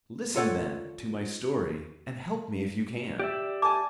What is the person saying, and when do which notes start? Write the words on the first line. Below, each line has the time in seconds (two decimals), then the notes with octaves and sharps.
Listen, then, to my story and help me if you can.
0.36 F4 A4 C#5 D5 F#5
3.19 G4 D5 E5
3.62 G#5 A5 D6